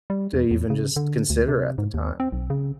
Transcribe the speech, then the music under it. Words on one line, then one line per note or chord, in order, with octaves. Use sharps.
to even just consider at the time.
G3
E2
E2
C#3
D3
D2
C3
G#2
D#2
C4
B1
C#3